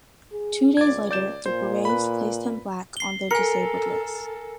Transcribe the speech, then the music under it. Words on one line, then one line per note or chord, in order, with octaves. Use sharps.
Two days later, the Braves placed him back on the disabled list.
G#4
C#2 D5 G#6
D5 G6 E7
A#2 C5
B4 B5
C7 G7
A4 A#4 G#5 C#7